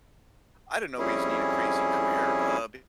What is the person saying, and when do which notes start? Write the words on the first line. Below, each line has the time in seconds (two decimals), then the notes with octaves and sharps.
I didn't always need a crazy career, uh,
0.99 F2 G3 C#4 E4 G#4